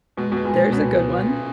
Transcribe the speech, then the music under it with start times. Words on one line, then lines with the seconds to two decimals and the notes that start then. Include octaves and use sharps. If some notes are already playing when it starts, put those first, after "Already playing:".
There's a good one.
0.17 B2 G#3
0.32 B2
0.36 G#3
0.45 A#2
0.54 G#3
0.72 C#2 B2
0.91 B3
1.10 B2
1.28 C#4